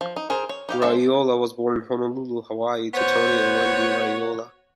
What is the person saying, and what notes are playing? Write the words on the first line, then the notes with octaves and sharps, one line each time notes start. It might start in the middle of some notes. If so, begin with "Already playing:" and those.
Raiola was born in Honolulu, Hawaii, to Tony and Wendy Raiola.
F3
D#4
G#4 A#4 C5
C#5
D#4 G4 F5
G#3 D4 A4 C5 E5
B3 F#4 C5 C#5